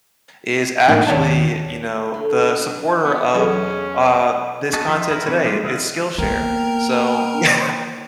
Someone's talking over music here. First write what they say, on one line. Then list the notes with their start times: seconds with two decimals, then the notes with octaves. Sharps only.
is actually, you know, the supporter of, uh, this content today, i it's Skillshare, so yeah
0.88 A2 A#3 D4 D#4
1.07 D#2 C#5 D5 A5
2.14 D3
2.65 F#3
3.04 B3
3.34 E2 F#3 C#4 G#4 A4
4.73 B3 F#4 G#4 D#5 A5
4.88 F3 F4 E5
5.10 E4 A#4 B4 B5
5.26 D3 C4 C#4 B4 C#5
5.44 F3 G3 G#3 A#3 F4
5.64 D3 E4 D#5 F5 F#5
6.18 A#3 B3 A#4 G5